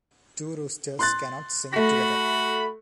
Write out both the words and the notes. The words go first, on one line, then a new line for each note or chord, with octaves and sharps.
Two roosters cannot sing together.
C6 F#6 A6
A3 F#4 B5 A#6